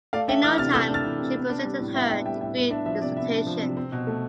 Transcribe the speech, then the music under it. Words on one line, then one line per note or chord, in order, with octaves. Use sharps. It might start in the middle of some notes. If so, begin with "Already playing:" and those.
In no time she presented her degree dissertation.
A3 D5 F5
D4 E5 G5
E3 D6 F6
C3 F6 A6
A3 E6 G6
D4 F6 A6
E3
C3
B3
D4
G3
A2
B3 E5 G5
D4 E5 G5
G3 E5 G5
A2 E5 G5
B3 E5
D4 E5
F3 E5
C3 D5
B3 E5
D4
F3
C3
C4
B2
A3